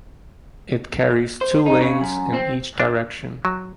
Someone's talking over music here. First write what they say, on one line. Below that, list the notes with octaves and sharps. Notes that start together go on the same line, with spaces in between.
It carries two lanes in each direction.
C5
D#4
C#3
F#2
C4
D4
F#3